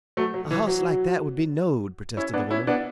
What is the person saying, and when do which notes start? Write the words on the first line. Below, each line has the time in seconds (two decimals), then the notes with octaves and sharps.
"A hoss like that would be knowed," protested the woman.
0.17 F#3 A3
0.34 F#3
0.51 E3
0.67 F#3
2.17 C#4 E4
2.34 B3 D4
2.51 C#4 E4
2.67 B3 D4